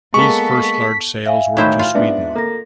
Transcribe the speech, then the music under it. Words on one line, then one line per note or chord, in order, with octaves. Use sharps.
These first large sales were to Sweden.
G#3 A#3 B3 A4 C#6 B6
E5 F5 G#5
A2 D#3 F#3 E4 C5
F4
G#2 B3 D4 E5
A#3 A4 A#6